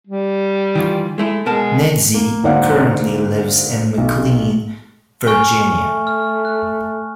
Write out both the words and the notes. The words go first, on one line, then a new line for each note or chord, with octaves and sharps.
Nedzi currently lives in McLean, Virginia.
G3
D#3 E3 F4
G#3 A3 E4
B2 G#3 A#4 A5
A#3
D2 G#2 A#3 D5 F5 F#5
B1
G#5 C#6 F6
A3
F6
F#6